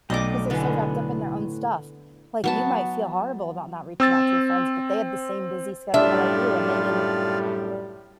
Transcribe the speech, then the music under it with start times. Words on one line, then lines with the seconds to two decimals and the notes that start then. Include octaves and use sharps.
because they're so wrapped up in their own stuff, like, you might feel horrible about not reaching out to your friends, but they had the same busy schedule like you, and they didn't
0.10 B1 A3 D5 D#5 G5 D6
0.50 A2 D3 B3 E4 G#5
2.44 F#3 B3 A5
4.00 C4 E6 A6
5.94 F#2 A2 G3 D4 F4 D5 E5